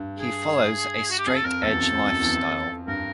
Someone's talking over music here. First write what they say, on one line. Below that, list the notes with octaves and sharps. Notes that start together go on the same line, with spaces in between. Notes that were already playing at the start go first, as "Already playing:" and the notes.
He follows a straight edge lifestyle.
Already playing: G2
G#4
F#4
G4
F2 G#4
A4
F2 A#4
E2 A4
F#2
F2
F2
F#2
E2
F2
G2 A#4